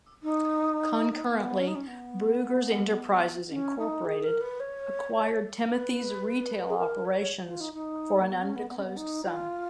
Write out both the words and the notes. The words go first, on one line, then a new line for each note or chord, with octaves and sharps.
Concurrently, Bruegger's Enterprises, Incorporated acquired Timothy's retail operations for an undisclosed sum.
D#4
B3
C#4
D#4
C#4
B3
C#4
D#4
G#4
A#4
B4
C#5
B4
G#4
A#4
C#5
F4
D#4
D#4
A#3
B3
C#4
B3
B3
C#4
B3
D#4
F4